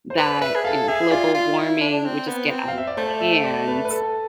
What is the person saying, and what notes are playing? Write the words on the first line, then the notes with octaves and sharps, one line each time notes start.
that, you know, global warming would just get out of hand,
C5
B4 D5
B4 E5
G#4
A4 F5
G#4 E5
F4 D5
F4
E4
D4
C4
B3
C4
F5
E5
D5
A3 C5
E5
D5
B4
B4
A4